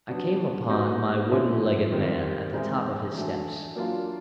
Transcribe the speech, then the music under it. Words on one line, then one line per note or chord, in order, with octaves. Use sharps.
I came upon my wooden-legged man at the top of his steps.
F#3 B3 D4 F#4
G3 B3 D#4 F#4
D3 F3 A3 C#4 E4
D#3 G3 C4
E3 G#3 C4 D#4
E3 A3 D4 F#4
F#3 A#3 D4 F4